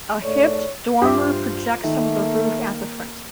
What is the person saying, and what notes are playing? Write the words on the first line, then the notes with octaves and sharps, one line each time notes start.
A hipped dormer projects from the roof at the front.
G#2 A3 C#5 D5
G2 F4 G4 C5 E5
D#3 A3 A#3